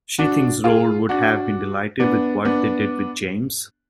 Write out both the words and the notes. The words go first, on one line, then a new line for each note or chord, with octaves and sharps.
She thinks Roald would have been delighted with what they did with James.
D4 F#4
F4 G#4
D4 F#4
B3 D4
B3 D4